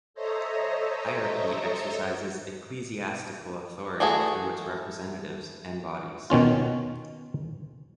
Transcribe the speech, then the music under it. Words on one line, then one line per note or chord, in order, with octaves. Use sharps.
Hierarchy exercises ecclesiastical authority through its representatives and bodies.
A4 C5 C#5 D#5 E5 A#5
E3 A3 F#4 G#4
B2 D#3 C#4 F4